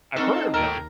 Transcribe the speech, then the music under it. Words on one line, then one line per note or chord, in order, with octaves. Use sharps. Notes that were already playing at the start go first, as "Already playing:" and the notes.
I've heard of them
D3 C4 D#4 F#4 A4 A#4
D#2 A4 A#4 G5